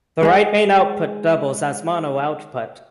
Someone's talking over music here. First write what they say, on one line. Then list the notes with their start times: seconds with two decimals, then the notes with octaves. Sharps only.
The right main output doubles as mono output.
0.23 G#3 G#4